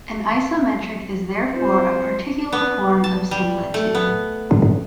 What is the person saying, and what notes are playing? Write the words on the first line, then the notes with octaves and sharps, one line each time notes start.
An isometric is therefore a particular form of similitude.
C4 F4 C5
B3
A5
G3
A3
B3